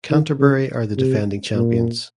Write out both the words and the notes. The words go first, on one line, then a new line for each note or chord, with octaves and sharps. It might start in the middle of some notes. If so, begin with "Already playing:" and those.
Canterbury are the defending champions.
D#3
C#3
C3
A#2